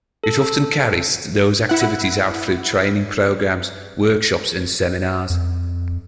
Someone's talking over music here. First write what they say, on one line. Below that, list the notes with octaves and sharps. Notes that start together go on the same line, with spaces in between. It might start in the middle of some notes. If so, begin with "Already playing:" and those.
It often carries those activities out through training programs, workshops and seminars.
A4
E4 F#5
F2